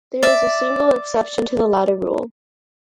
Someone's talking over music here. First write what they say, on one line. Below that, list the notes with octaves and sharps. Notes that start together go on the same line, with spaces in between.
There is a single exception to the latter rule.
D5 E5